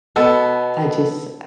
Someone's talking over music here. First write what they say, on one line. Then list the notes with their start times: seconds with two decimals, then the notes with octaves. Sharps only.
I just
0.16 B2 B3 A4